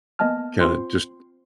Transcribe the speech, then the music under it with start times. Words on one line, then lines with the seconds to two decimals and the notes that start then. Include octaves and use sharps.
kinda just
0.19 A#3 B3 D#5 G#5 A5 F6
0.61 C4 F4 C5 C6